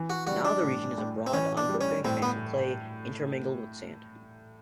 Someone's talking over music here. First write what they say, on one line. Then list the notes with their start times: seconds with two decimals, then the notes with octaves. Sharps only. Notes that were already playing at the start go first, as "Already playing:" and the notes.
Now the region is a broad, unbroken expanse of clay intermingled with sand.
Already playing: E3
0.10 F#4
0.27 G3 F#4
0.45 D4
0.63 A2
0.98 A2
1.27 C4
1.34 E3 C#4
1.57 D4
1.69 G3
1.81 C#4
2.05 A2 C4
2.22 B3